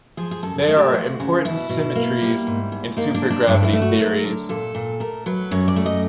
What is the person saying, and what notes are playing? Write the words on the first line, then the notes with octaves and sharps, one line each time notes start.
They are important symmetries in supergravity theories.
F3 G#4
G#4
F#2 A4
A4
A3
G4
F3 F#4
C#3
B2 E4
B2
A#3
G3
G#2
G#2
A#3 D#4
D4
F3
D4
G2 D4
E4
A3
F#4
F#3 A#4
D3
A#2 A4
A#2
A3 A#4
F#3 B4
F#2 C#5
D5
A3
D#5